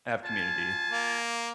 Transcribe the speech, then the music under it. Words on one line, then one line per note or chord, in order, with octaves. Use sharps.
I have community.
F4 G#5 A5
A#3